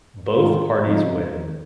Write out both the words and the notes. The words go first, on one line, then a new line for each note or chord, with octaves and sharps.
Both parties win.
G#2 D#3 F4
F2 C#3 D#4
D#3